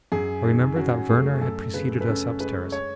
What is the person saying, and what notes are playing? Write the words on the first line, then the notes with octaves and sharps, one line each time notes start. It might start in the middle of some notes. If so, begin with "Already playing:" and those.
I remembered that Werner had preceded us upstairs.
F#2 G#4
D#3 G#4
C#4 F#4
A3 G#4
F#2 A4
C#3 B4
B4
C#4 A4
G#3 B4
C#5